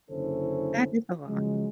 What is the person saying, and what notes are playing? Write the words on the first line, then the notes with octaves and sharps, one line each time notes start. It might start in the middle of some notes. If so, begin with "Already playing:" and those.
That is a lot.
F#1 D3 C#4 E4 A4 C5
C#3 F3 F#3 G#3